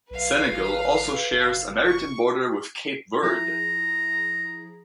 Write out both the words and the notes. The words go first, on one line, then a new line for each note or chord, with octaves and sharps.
Senegal also shares a maritime border with Cape Verde.
B1 B4 F5
G#1
F#1
C#6
F3 E4 G#4 A#5